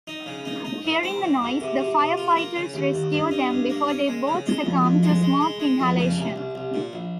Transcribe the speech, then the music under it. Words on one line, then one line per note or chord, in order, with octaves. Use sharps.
Hearing the noise, the firefighters rescue them before they both succumb to smoke inhalation.
D#4
C#3
D#4
D#4
G#2
C4
G#2
G#2
C3
C3
C3
F4
A#3
C#3
D#2
D#2
G2
D#4
G2
A#3
C#4
G#3
C#3
G#3
F2
F2
G#3
G#3
G#3
G#3
F2
C#3
C2
C2
C2
A#2
A#1